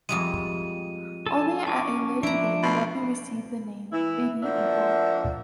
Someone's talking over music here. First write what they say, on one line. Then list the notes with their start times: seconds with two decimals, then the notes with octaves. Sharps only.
Only at a later date the weapon received the name "Baby Eagle".
0.09 F2 G3 G#3 D#7
1.26 A4 G#5 A5
1.67 C#4 A5 C#6 D6
2.23 F3 D4 E4 A#5 D7
2.62 B2
3.92 E3 E4
4.43 F3 D4 F#4 A#4 E5